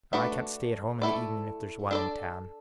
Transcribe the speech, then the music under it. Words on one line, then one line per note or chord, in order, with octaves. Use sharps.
I can't stay at home in the evening if there's one in town.
A3 D4 F#4 B4 D5
A3 E4 A4 D5
D4 A4 D5